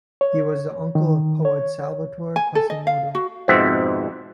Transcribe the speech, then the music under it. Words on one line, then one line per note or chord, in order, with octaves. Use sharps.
He was the uncle of poet Salvatore Quasimodo.
C#5
D#3
C#5
G#5
A4
D#5
F5
F#4
F2 G#2 B2 C4 E5 F#5